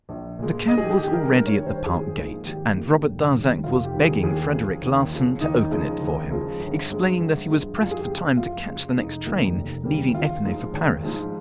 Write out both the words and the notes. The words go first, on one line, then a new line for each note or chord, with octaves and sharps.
The cab was already at the park gate and Robert Darzac was begging Frederic Larsan to open it for him, explaining that he was pressed for time to catch the next train leaving Epinay for Paris.
A#1
A#2 G#3
G2 D#5
G#4
G4
G#4
D#3 G3 G4
A#4
G2 A#4
C#5
D#3 G3
C5
G#1 G#4
G#2 F3 A#3
G#1 G4
G#2 F3 A#3
F1
D#2 D#3 G3
F1 F4
G4
D#2 D#3 G3
G#4
D#2 G#4
C#3 F3
D#2
C#3 F3
D#2 D#4
C#3 F3 G#3
D#2
C#3 F3 G#3
G1
G2 F3 G#3
G1
G2 F3 G#3
F2 F4
G#4
G4
C#3 G#3
F2 F4
C#3 G#3
F1 D#4
D#2 C#3 G3 A#3
F1
D#2 C#3 G3 A#3
G#1 F4
G#2 F3 G#3
G#1
G#2 F3 G#3